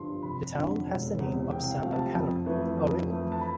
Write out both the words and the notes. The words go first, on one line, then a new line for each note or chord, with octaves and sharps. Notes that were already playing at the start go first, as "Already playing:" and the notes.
The town has the name of Samuel Cameron, a railroad worker.
Already playing: G1 G2 F3 C6
F1 B5
F2 D3
E1
E2 C3
C2 G5
F5
C3 F3 A3
A5
F2
E3 A3
F2
E3 A3
A5
B5